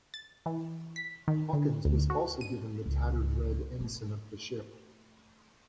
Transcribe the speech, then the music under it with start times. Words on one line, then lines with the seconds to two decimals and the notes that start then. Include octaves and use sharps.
Hawkins was also given the tattered Red Ensign of the ship.
0.14 A6
0.46 E3
0.96 B6
1.28 D#3
1.53 D3
1.85 D2
2.10 F#4
2.41 D#7
2.86 C#2
3.80 A3